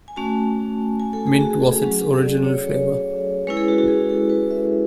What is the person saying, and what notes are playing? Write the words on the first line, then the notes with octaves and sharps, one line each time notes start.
Mint was its original flavor.
G#5
A3 C#4 F#4 A5
G#5
A4
G#4
F#4
G#4
A4
G#4
F#3 C#4 F#4 G#4
G#4
A4
D5
C#5
G#3 C#4 E4 B4
G#4
F#4
F#4
G#4
A4
B4
E5